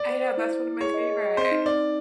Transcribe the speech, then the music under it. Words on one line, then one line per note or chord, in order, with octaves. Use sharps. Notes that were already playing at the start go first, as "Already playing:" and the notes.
I know, that's one of my favorite.
Already playing: D5
C5
C5
E4
E4
E4
G#4 C#5
D#5
G#4
D#5
C4 C5
D#4
C4 D5
D#4